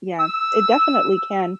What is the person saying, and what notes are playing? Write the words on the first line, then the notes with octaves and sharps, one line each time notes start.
Yeah, it definitely can.
E6